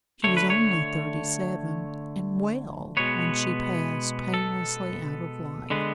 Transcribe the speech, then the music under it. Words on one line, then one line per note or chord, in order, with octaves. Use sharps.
She was only thirty-seven and "well" when she passed painlessly out of life.
D3 A3 C#5
B4
C#5
B2 G#3 B3 C#5
A4
D3 G#3 B3